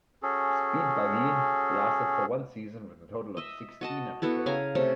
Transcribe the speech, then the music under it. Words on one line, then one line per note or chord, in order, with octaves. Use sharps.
"Speed Buggy" lasted for one season with a total of sixteen episodes.
C#4 F#4 G#4 A4
D#5 E5
F#4 D#5 A5
B3 E4 F#4 A4
C#3 F5 G#5 A#5
C3 A3 C#4